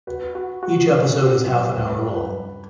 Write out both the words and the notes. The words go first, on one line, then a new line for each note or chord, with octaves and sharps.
Each episode is half an hour long.
F#4 B4
F#4
F#4
C#4
F#4
F#3
G2 B4
G2
B4
G2